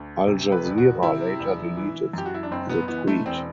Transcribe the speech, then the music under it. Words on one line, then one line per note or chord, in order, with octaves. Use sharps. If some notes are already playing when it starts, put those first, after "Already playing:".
Al Jazeera later deleted the tweet.
Already playing: D2
C3
B4
E1
F#4
C3 E4
E1
E3
F#2 G4
F#4
E4
D4
F#1 C4
B3
E3 B3
A3
E1 C4